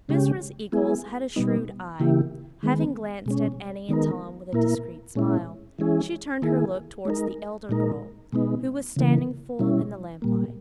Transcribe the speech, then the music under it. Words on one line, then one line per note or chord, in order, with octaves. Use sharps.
Mrs. Eagles had a shrewd eye; having glanced at Annie and Tom with a discreet smile, she turned her look towards the elder girl, who was standing full in the lamplight.
C#3 G#3 C#4 G4
G#3 B3 E4 G#4
B2 G3 B3 D#4
C#3 E3 A#3 E4 G4
D#3 G#3 B3
B2 G#3 C#4
D#3 G#3 B3 D#4 A#4
A#2 A#3 E4 A#4
A#2 G#3 C#4 E4
E3 G#3 C#4 E4 G#4
D#3 A#3 E4 G#4
G#3 D#4 A#4
A#2 G#3 D#4 A#4
B2 G#3 B3 D#4
C#3 E3 A#3
B2 G3 C#4 E4
A#2 G3 A#3